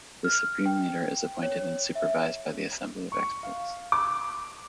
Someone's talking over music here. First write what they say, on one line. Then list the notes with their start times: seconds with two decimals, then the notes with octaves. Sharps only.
The Supreme Leader is appointed and supervised by the Assembly of Experts.
0.24 F6
0.66 G5
1.43 C#5
1.95 E5
3.12 C#6
3.43 F5
3.92 D6